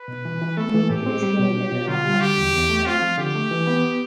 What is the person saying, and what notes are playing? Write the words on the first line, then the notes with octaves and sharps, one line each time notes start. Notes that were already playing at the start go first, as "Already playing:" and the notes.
Unique to this game is a lock-on feature for the items.
Already playing: B4
B2
E3
E3
A3 A4
E3
A2 G4
C4
G3
B2
D4
B2
D3 F4
G3
D3 G4
E2
E2
A3
C4 F4
F3
D3 G4
A3
E3
B3